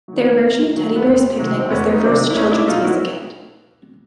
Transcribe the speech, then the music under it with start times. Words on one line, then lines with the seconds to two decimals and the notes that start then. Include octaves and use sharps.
Their version of "Teddy Bears' Picnic" was their first children's music hit.
0.08 D#3 F#3
0.41 F#2
0.73 D#3 F#3
0.96 B3
1.05 E2 C4
1.38 C3 D#3 F#3
1.59 C4
1.70 E2 B3 C#4
1.92 D#4
2.03 C3 D#3 F#3 C4 D4
2.30 E4
2.35 C2 C#4 D#4
2.52 D4 E4
2.67 B2 F#3 D#4 F4
2.84 E4 F#4